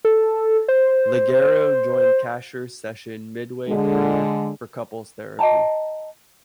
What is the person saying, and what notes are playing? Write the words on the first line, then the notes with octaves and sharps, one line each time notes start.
Leggero joined Kasher's session midway through for couples therapy.
A4
C5
D3 G#3
D#5 G5 A5 A#5